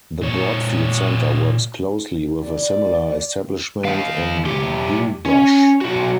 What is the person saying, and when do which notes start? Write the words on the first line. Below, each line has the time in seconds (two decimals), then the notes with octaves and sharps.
The Broadfield centre works closely with a similar establishment in Bewbush.
0.21 A#2 C#5
2.45 D5
3.84 D#3 F5
4.45 B1 G4
5.26 C#4
5.81 B1 F#4